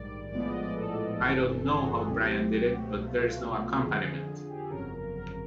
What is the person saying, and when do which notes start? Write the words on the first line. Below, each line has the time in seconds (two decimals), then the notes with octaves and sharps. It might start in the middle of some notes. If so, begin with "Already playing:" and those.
I don't know how Brian did it, but there's no accompaniment.
Already playing: A#1 G#2 D#3 G3 D5
0.32 A#1 A2 F3 G#3 B3 D5
0.47 D#5
0.61 D5
0.76 A4
1.19 G1 G2 E3
1.64 G#4
1.78 F#4
1.93 F#4
2.08 C#2 B2 F#3 A3 C4 G4
2.52 G4
2.67 G4
2.74 F#4
2.95 C2 B2 F#3 A3
3.07 F4
3.17 F#4
3.28 F#4
3.39 G4
3.83 F2 D3 F3 G#4
4.50 G4
4.56 G#4
4.64 A4
4.70 G1 F2 C#3 F#3 A#4
5.15 A#4